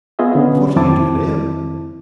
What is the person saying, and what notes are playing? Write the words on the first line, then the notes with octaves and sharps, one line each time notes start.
And what'll you do there?
B3 F4 G#4 D#5 E5
D3 B3 C#4
F2 D#3 C4 E4 A5 D6